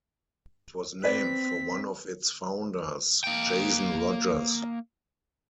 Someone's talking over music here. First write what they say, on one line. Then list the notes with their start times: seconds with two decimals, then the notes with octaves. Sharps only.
It was named for one of its founders, Jason Rogers.
1.04 C4 B4 D5 B6
3.24 A#3 G5